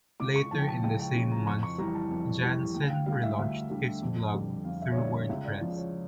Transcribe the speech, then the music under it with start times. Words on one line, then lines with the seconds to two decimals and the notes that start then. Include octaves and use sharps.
Later in the same month, Jansen re-launched his blog through WordPress.
0.20 C#2 D6
0.36 C#6
0.51 C#3 F3 A5
0.60 G5
0.68 A5
0.84 C#2 G5
0.99 G5
1.15 C#3 F3
1.32 A#5
1.47 F2 C#6
1.63 C#6
1.78 E3 G3 A#5
1.95 A5
2.11 F2
2.43 E3 G3
2.74 D2 G5
2.86 F5
2.90 G5
3.06 D3 G3 F5
3.23 E5
3.39 D2
3.70 D3 G3
4.02 F2
4.33 D3 G3
4.65 F2 F5
4.82 E5
4.92 C#5
4.97 D3 G3 D5
5.13 D5
5.29 C#2 E5
5.45 D5
5.61 C#3 F3
5.77 C#5